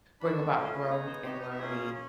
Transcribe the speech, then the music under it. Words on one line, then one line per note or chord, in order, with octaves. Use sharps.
bring about growth and learning.
D4 F#4 A4 B5
E5
A3 C#4 F4 F5
C5
B4
A#4
B3 D#4 G#4 B4
C5
B3 D#4 G4 C5
C#5
D#5
E5
A#3 C#4 F4 G#4
C#4